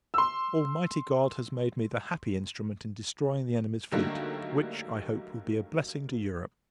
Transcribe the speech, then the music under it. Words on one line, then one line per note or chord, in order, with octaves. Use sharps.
Almighty God has made me the happy instrument in destroying the enemy's fleet; which, I hope, will be a blessing to Europe.
C6 E6
D3 D#3 F#3 G3 A3 A#3